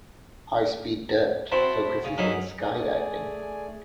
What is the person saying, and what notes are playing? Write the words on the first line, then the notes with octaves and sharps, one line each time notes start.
"High Speed Dirt" focuses on skydiving.
C4 E4 F#4 C5 A5 B5
C#3
F#3 C#4 D#4 E4 E5
A3 G#4 D5 G#5